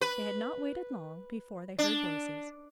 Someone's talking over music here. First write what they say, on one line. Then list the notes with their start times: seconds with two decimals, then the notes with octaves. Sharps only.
They had not waited long before they heard voices.
0.01 B4
1.79 D4